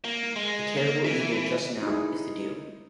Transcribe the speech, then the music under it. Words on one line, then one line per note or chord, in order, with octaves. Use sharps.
A terrible evil just now is the dew.
A#3
G#3
A#3
E3
D#4 E4 G#4